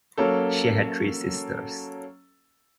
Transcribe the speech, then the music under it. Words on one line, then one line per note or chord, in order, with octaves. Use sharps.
She had three sisters.
F#3 A#3 C#4 A4